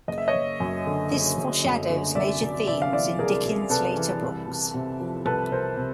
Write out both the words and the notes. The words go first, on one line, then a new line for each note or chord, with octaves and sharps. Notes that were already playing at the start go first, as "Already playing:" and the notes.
This foreshadows major themes in Dickens's later books.
F#1 D#5
E5
C#5 D#5
F#1
F#2
D3
F#1
F#1
F#2
D3
C2 D5 E5
C2
C3 D5 E5
F5
E3 D5 E5
C2 G#4 A#4
C2
C3 A4 B4
E3
C2
C2
C3
F3
C2 A4 B4
C2 A#4 C5
C3